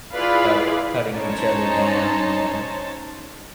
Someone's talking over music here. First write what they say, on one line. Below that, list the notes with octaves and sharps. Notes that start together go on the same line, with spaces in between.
cut cutting each other down, you know?
E4 F4 G#4 B4 D5 F5
C#4 D#4 C5 C#5 A5